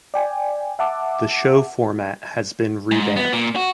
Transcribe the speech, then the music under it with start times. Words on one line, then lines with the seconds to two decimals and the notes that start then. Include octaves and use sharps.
The show format has been revamped.
0.14 D5 G5 G#5
0.79 E5 F#5 A5 D6
2.91 G#2
3.16 B3
3.33 A#2
3.56 F#4